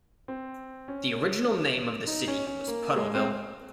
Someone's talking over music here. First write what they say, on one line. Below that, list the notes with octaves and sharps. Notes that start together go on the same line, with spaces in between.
The original name of the city was Puddleville.
C4
C#4
D#4
C#4
C#4
A#3
G#3
C4